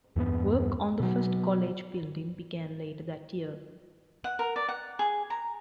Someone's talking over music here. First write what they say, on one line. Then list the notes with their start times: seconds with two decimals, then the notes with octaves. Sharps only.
Work on the first college building began later that year.
0.16 E2 G2 G#3 B3
1.00 B2 F#3
4.24 F#5
4.39 A#4
4.56 D5
4.69 F#5
4.99 G#4
5.30 A#5